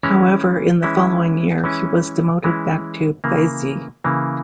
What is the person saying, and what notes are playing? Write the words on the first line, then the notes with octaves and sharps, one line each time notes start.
However, in the following year, he was demoted back to "beizi".
E3 G#3 C#4 E4 A#5
E3 G#3 C#4 E4
E3 G#3 C#4 E4
E3 G#3 C#4 E4
C#3 E3 A#3
C#3 E3 A#3